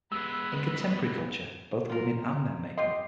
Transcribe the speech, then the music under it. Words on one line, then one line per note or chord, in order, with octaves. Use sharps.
In contemporary culture, both women and men make them.
G#3 B3 B4 E6
F4 A#4
F4 G4 D#5 C6